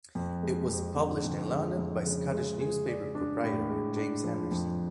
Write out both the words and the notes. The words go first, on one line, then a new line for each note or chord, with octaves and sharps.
It was published in London by Scottish newspaper proprietor James Henderson.
F2
G#3
F2
D3
F2
G#3
F2
C#3
G#3
G#4
D5
D4
A2
G#3
D4
F3
F2